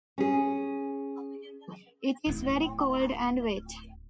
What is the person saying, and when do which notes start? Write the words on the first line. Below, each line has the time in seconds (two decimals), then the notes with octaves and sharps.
It is very cold and wet.
0.18 C#4 G#4
2.26 D1 E4